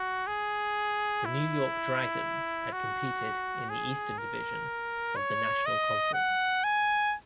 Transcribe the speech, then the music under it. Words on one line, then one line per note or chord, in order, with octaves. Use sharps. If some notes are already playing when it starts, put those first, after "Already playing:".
The New York Dragons had competed in the Eastern Division of the National Conference.
Already playing: F#4
G#4
E4
F#4
G#4
A#4
C#5
D#5
F#5
G#5